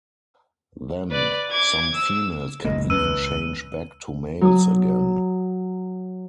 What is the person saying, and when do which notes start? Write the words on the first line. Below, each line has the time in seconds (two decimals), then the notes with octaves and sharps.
Then, some females can even change back to males again.
1.11 B4 D5
1.52 D6 G#6
1.95 E6
2.65 F#1 C#2 A#3 D#5
2.90 C#2 B4 E6 D#7
4.41 F#3 D#6